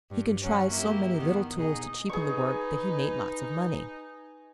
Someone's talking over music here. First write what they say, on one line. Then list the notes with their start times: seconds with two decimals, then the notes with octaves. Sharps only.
He contrived so many little tools to cheapen the work that he made lots of money.
0.11 G2
0.41 F#3 C#4
0.70 A#3 E4 G4
1.17 D#3 B3
1.56 B2 D#4 G#4
2.09 D#4 G#4 B4 C#6